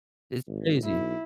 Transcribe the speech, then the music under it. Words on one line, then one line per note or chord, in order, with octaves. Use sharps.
It's crazy.
G#1
B1 E4